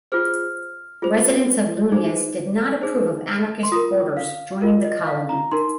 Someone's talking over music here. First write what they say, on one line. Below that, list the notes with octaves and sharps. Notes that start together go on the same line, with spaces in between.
Residents of Luynes did not approve of anarchist boarders joining the colony.
F4 G#4 C5 F6
F4 G#4 C5
D#4 G#4 C5
D#4 G#4 C5
C6
F4 A#4 D#6
F5
F4 A#4 D#5
D#5
F5
A#5
D#4 A#4 C6